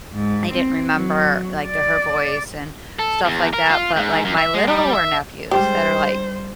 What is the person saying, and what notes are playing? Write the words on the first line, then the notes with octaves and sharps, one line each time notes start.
They didn't remember, like, the her voice and stuff like that, but like my littler nephews that are like,
G#2
C4
F#3
D5
A4
E2
A#4
F4
G#2
F#2
E5
G#3
G3
E5
G3 G#3 D4 G4 C5